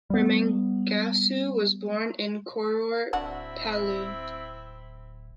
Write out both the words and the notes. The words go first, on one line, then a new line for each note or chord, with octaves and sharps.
Remengesau was born in Koror, Palau.
G3 B3
D1 C4 D4 E4 F#4